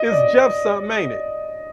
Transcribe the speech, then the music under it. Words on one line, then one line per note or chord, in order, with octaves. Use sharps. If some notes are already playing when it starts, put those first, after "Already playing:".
It's Jeff summin', ain't it?
Already playing: D#5
D5